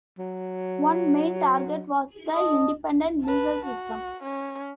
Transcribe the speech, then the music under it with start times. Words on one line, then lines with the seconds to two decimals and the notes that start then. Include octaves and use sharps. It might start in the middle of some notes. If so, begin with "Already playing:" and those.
One main target was the independent legal system.
0.19 F#3
2.34 D#5 A5 D#6
3.23 B4 A5
3.65 F#4
4.23 C#4